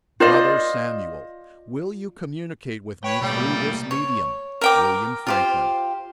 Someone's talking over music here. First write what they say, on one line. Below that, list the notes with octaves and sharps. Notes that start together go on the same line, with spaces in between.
"BROTHER SAMUEL:--Will you communicate with me through this medium? WILLIAM FRANKLIN."
F4 C5 D5 D#5
B4 C#5 G5
B2 G3 A3 A#3
C#5
A#4 G5 D6
F4 G4 C5